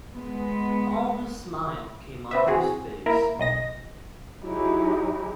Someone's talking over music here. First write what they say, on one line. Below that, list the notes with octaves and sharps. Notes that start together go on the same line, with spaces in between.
All the smile came off his face.
G#3 B3
C4 B4 E5
E3 C4 F#4 G#4
A#3 E4 A#4
B1 D#5 A#6
F#3 D#4 E4 G4 G#4